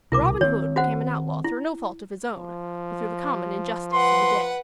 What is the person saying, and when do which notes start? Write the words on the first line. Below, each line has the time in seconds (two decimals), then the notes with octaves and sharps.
Robin Hood became an outlaw through no fault of his own, but through the common injustice of the day.
0.12 C2 B2 E4 A#4 D6
0.41 D#3 C4 C#5
0.76 F#4 C5 F#5
1.44 E4
2.33 F3
3.93 B4 F#5 C6